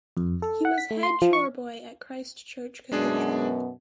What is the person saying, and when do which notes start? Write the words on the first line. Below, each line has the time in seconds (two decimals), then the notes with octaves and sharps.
He was head choirboy at Christchurch Cathedral.
0.17 F2
0.42 A4
0.65 F#5
0.78 B6
0.91 A3
1.03 C6
1.22 F3
1.33 C#6
2.92 F#2 B2 G#3 B3 D4 G#4